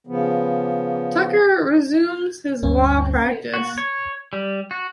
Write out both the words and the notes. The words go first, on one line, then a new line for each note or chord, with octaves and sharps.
Tucker resumed his law practice.
C#3 F3 B3
G1 D2 G2 C#4
F#4
C#5
G3
F#4